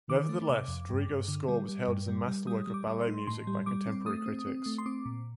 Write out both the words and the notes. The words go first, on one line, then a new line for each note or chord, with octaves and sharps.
Nevertheless, Drigo's score was hailed as a masterwork of ballet music by contemporary critics.
D#3 D6
A3
C3 D6
F2
G2
G2
D3
G3
G3
G2
G3
G3
G3 D#6
G3
D6
G3
C6
D#4
A2 C6
G3
G3 D6
C4
A3 D#6
C4
C4
A3
C6
C4 D6
A#2